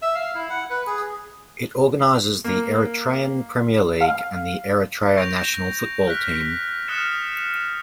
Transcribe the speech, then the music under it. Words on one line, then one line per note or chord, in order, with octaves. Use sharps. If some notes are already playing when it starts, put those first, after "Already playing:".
It organizes the Eritrean Premier League and the Eritrea national football team.
E5
F5
E4
F#5
B4
G#4
A#3
F5
C#6 G6 A#6 D7 F7
F6 F#6 B6
D#6 F6 F#6 A6 C#7 E7